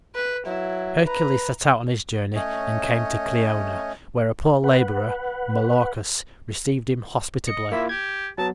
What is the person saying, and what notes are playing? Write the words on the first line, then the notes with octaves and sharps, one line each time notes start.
Hercules set out on his journey and came to Kleona, where a poor laborer, Molorchus, received him hospitably.
B4
F#3 E4
B4 A#5
A3 C#4 C#5 D#5
B4 F#5
D#5 C#7
A#3 E4 F4 E5
G4 G#6
F#3 B3 A5